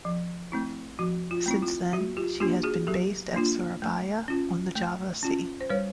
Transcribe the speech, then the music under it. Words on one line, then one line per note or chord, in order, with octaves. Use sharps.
Since then, she has been based at Surabaya on the Java Sea.
F3
A3 C4 E4
F3 F#4
F4
A3 C4 E4
F4
F#3 F#4
F4 G4
A#3 D4 F4 G4
F#4 G#4
F#3 G4 A4
A#3 D4 F4
A3
C#4 F4
A3
C#4 F4
C5
G3 B4 C#5